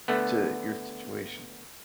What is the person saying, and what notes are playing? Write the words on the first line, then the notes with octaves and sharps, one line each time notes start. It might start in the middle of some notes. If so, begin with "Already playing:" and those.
to your situation.
D3 A3 B3